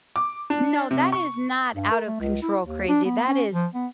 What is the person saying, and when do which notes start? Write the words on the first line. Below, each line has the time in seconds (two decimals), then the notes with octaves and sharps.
No, that is not out of control crazy, that is
0.16 D6
0.50 D4
0.91 C3
1.12 C#6
1.74 G2
1.91 A#4
2.06 A3
2.20 C#2
2.42 E4
2.65 D#2
2.88 D4
3.05 B3
3.28 C#4
3.54 F3
3.74 B3